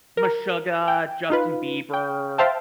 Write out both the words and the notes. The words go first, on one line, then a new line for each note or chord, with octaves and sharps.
Meshuggah, Justin Bieber,
A#4
G5
D#4 F4 B4
G5
C5 E5 F5 G5 A5